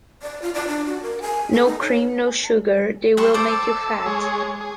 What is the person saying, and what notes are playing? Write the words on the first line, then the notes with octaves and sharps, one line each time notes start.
No cream, no sugar; they will make you fat.
D5
F4
D5
D4
F#4
A#4
G#5
A4
D#4
C#5
G3 E5 C6 C#6
A4 C5 D5 E6
G#3 G#4 C#5
G#4